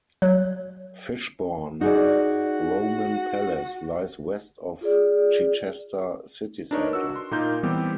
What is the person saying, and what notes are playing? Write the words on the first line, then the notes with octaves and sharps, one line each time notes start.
Fishbourne Roman Palace lies west of Chichester city centre.
F#3
D#4 F#4 G#4 D5
F4 G#4 D5
D4 D#4 A#4 B4 C#5 D#5
F#4 E6
C6
A#2 A#3 D#4 F4 G6
E3 G3 B3 C4 G4